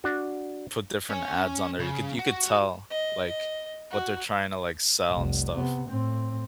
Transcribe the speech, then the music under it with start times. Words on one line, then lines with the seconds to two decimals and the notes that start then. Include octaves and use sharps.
put different ads on there. You could you could tell, like, what they're trying to, like, sell and stuff.
0.04 D4 F#4
1.09 C#4 G#5
1.79 C#3
2.19 F#4
2.90 D#5
3.27 D#5
3.91 F#4
5.11 F1 C2
5.54 C3 B3
5.89 A2 C4